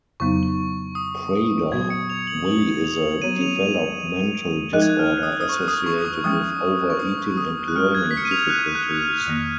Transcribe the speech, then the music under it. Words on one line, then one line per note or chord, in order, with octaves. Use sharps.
Prader-Willi is a developmental disorder associated with over-eating and learning difficulties.
F2 C#3 F#3 B3 D#4 C#6
D#6
A#2 F#3 B3 F#4 G#6
C#7
F7
F#7
F#7
F7
F#3 B3 F#4 C#5 D#7
F7
F7
F3 G#3 D#4 A#4 D#5 F#6
G#6
F#6
F6
D#6
D#6
C#6
D#6
C#6
D#6
F3 G#3 C#4 D#6
C#6
D#6
D#6
F#6
G#3 C#4 F#4 A#4 F6
G#6
B6
C#7
D#7
F7
F#6
F#6
F#6
F6
F2 D#3 A#3